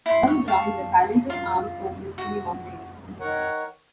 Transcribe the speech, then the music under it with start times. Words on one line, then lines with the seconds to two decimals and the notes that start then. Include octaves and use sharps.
Some joined the Falintil armed forces in the mountains.
0.06 E4 C6
0.27 C#5
0.48 F5 A5 C#6
1.30 F4
2.18 F#4
3.20 D#3 A#4 C#5 F#5